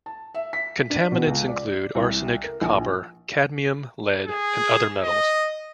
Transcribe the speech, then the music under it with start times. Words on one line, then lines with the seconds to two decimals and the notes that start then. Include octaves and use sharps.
Contaminants included arsenic, copper, cadmium, lead and other metals.
0.06 A5
0.34 E5
0.53 B6
0.90 D4
1.12 B2
1.27 C#2
1.49 D5
1.95 C2
2.43 A#4
2.62 A#1
4.27 G#4
5.03 D#5